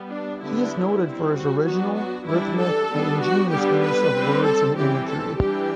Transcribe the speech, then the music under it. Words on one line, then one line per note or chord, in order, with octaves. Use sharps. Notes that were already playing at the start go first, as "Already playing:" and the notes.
He is noted for his original, rhythmic and ingenious use of words and imagery.
Already playing: G3 B3
D4
D3 G3 B3 D4 E4
G3 C4
F#4
F#3 B3 D4 F#4
F#4
E3 G3 D4 E4
A4
G3 B3 D4
F#4
D3 G3 B3 D4 G4
B4
C4
G3
A4
E3 G3 C4 G4
A4
E3 G3 D4 G4